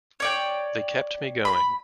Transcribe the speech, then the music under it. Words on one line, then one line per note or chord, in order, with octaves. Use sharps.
They kept me going.
C#5 D5 G5
B5